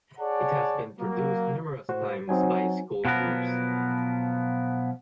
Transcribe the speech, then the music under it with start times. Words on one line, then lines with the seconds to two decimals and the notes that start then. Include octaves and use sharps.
It has been produced numerous times by school groups.
0.19 G#4 C#5 D5 F#5 A5
0.99 F#3 A#3
1.89 A2 F#4 C5
2.29 F#3 C4 D#4 G#5
3.05 B2 F3 F#3 B3 A#4